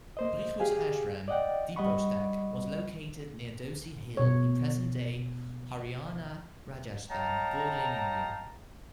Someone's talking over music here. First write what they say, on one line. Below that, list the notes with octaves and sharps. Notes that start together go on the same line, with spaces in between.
Bhrigu's ashram 'Deepostak' was located near Dhosi Hill in present-day Haryana-Rajasthan border in India.
A#3 C5 D#5
G4 G#4 F5 G#5
D5 D#5 F#5 G5
G3 D#5 F#5 B5 C#6
B2 C#5
C#5 D#5 F5 G5 A5 A#5